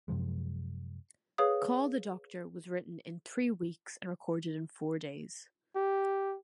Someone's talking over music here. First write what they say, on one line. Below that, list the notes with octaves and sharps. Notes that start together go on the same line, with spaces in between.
"Call the Doctor" was written in three weeks and recorded in four days.
F#2 C3 F3 G#3
G#4 B4 C#5 F5 D#6
G4